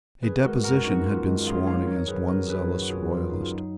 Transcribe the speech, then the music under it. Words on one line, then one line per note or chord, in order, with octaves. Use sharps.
A deposition had been sworn against one zealous royalist.
D#3 G#4 B4
G#3 F#4 A#4
F#2 F#4 A#4
F#2 D#4 F#4
D#3 F4
G#3
F#2 F4 G#4
F#2 C#5 F5
D#3 A#4 C#5
F#3 G#4 B4
F#2 F#4 A#4
F#2 G#4 B4
D#3
F#4
F#3 F4 G#4
F#2 F4
F#2 D#4
F4
F#3 D#4